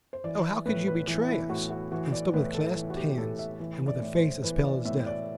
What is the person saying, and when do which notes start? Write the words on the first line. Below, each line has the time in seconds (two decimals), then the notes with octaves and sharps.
"Oh, how could you betray us!" and stood with clasped hands, and with face as pale as death.
0.13 C5
0.24 E3 D5
0.66 A2 B4
0.87 B4
1.08 E3
1.28 E4
1.50 A2 F#4
1.70 F#4
1.92 E3 F#4
2.12 D5
2.33 A2 B4
2.55 A4
2.75 E3
2.90 F#4
2.97 G4
3.18 A2 A4
3.39 E5
3.60 E3
3.88 D5
4.02 A2
4.15 C5
4.44 E3 B4
4.65 D5
4.85 A2 E5
5.06 D5